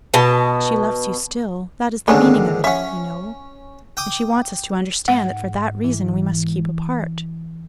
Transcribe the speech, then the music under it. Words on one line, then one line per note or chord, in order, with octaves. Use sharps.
She loves you still,--that is the meaning of it all, you know--and she wants us to understand that for that reason we must keep apart.
B2 A5
D#2 G#2 D3 A#3 C#4 D4
C#4 E5 F#5
G5 D6 D#6
G#2 F#5
E3